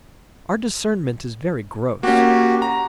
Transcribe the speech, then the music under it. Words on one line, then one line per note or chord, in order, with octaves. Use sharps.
Our discernment is very gross.
A#3 C#4 F#4 G4
A#5